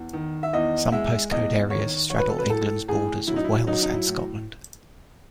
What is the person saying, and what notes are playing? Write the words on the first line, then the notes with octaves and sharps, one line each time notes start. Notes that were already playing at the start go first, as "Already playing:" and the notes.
Some postcode areas straddle England's borders with Wales and Scotland.
Already playing: E2
D#3
E5
E2 D#5
G#3 E5
E2 D#5
D#3 C#5
F#3 C#5
B4
A4
B4
A2 A4
A2 G#4
F#3 E4
D#4
E4
F#3 D#4
D#4
E4
A2